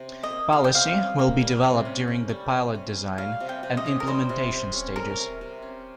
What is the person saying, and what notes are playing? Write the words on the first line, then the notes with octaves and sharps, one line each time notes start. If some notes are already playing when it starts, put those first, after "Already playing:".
Policy will be developed during the pilot design and implementation stages.
Already playing: C3
C#4
D#5
A#3
G3 F5
G5
C3 F5
C#4
A#3
G3
C3
C#4
A#3
G3
C3
C#4
A#3
G3 F5
C3
G5
C3
D#5
C#4
A#4
G3 C5
C3
C3
C#4
G3 A#4
C3
C3
C#4